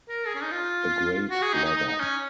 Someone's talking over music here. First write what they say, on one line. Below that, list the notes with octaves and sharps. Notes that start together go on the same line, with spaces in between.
A great lover.
A#4
G#4
C#4
D#4
F4
F#4
G#4
D#4
D#4
D#4
D#4
C#4